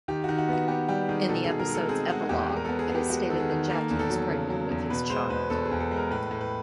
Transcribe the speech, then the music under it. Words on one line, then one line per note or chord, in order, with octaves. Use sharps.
In the episode's epilogue, it is stated that Jackie is pregnant with his child.
D#3 G4
F#4
D#3
F#4
B3 F#4
B3 G4
G3 G4
D#3 G#4
B2 A4
B2 G#4
A#4
G#3
A4
C4 G#4
G#3 F#4
E2 G4
G#3
A#4
B3 A4
G#4
B3
G4
G#3 F#4
D#3 A4
G#4
D#3
A#3 A4
E2
A4
F#3
C#3
F#3
E2
B2 B4
G#3 C5
E2 B4
E2 A4
G#4
E2
A4
G#3 A#4
A2 B4
A2
B4